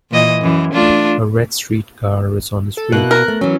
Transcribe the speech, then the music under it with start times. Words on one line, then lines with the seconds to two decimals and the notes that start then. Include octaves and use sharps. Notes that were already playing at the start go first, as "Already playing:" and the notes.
A red streetcar is on the street.
0.11 A#2 E3 D#5
0.42 F#2 E3
0.73 A3 D4 F4
2.77 A4
2.92 B2 A#3 E4 F#6
3.11 A#4
3.28 A3
3.41 E3 F#3 C#4